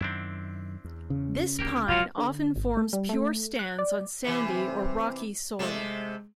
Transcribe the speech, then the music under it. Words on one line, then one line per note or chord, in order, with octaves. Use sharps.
This pine often forms pure stands on sandy or rocky soil.
F#2 D#3 C4 D4 E4
E2
C#3
D2 A#3 G4 A#4
F1 C#2 A#3 F4 F#4
D3
G#1
A3
G3
A3
F#6
D5
C3 E3
C4
C3 G#3 A3